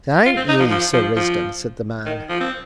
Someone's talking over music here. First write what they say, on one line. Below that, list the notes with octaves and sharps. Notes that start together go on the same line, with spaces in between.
"Thank ye, Sir Risdon," said the man.
F4
C4
D#4
F3
F3
F3
F3
D#3
F3
C4